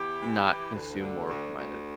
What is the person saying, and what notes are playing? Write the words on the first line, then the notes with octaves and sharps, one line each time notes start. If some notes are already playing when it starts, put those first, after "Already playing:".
not consume more of my
Already playing: E2 E4 G4
E3
E3
D2
D3
D2
D2